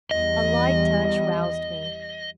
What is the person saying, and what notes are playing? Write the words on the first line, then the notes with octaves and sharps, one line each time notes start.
A light touch roused me.
E2 G3 D#5